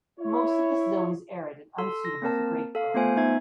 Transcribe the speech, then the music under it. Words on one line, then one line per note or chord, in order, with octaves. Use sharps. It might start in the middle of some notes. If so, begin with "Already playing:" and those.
Most of this zone is arid and unsuitable for grape growing.
E4 C#5
A4 C6 E6
A#6
A#3 C4 A#4 A5
A4 F5
A3 B3 F4 C5 G#5
B3 D#4 E5 G#6